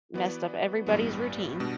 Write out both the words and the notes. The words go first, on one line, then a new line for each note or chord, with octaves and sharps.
messed up everybody's routine.
E3 B3 F#4 B4 D5
A1 G2 E3 G3 B3
B2 G3 D4